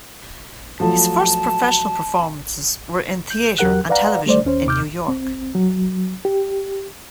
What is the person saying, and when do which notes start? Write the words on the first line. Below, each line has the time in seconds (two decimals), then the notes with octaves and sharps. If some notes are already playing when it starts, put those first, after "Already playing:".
His first professional performances were in theater and television in New York.
0.80 F3 F#3 A3 A5
3.30 G6
3.58 E2 F#3 G4 A#4 F#5 F#6
3.89 B4 D5 F5 F#5 A#5
4.26 G3 A3 C5 D5
4.45 D#2 C#4 C5
4.66 D#2 C3 D6 F6 G6
5.08 C4
5.55 F#3
6.25 G4